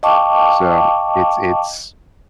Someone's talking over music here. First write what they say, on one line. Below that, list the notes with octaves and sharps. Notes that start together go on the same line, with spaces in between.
So, it's it's
D#5 F5 G5 A5 C#6 D6